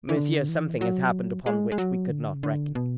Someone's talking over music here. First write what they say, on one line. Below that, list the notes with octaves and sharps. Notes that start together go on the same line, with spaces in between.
"Monsieur, something has happened upon which we could not reckon."
E3
D3
E3
F#3
G#3
G#3
F#3
D3
C#3
D3
B2